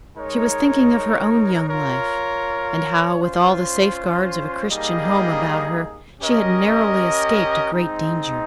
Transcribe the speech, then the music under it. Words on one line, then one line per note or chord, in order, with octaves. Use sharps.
She was thinking of her own young life, and how, with all the safeguards of a Christian home about her, she had narrowly escaped a great danger.
G#3 D#4 A#4 C#5
F4 A#4 C#5
C#4 F4 C5
G3 A#3 D#4 G#4 D#5
C#4 G4 A#4 D#5
G#3 C4 D#4